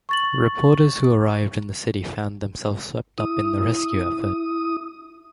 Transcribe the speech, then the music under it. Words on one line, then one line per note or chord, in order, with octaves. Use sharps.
Reporters who arrived in the city found themselves swept up in the rescue effort.
C#6 A6 F#7
E4 D#6